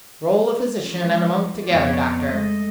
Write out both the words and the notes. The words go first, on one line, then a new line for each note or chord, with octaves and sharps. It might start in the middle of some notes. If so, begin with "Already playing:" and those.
"Roll a physician and a monk together, doctor!"
E3 F3 G#3 C#4
F2 B2 B3 C#5 D5
G#3 A3 D#5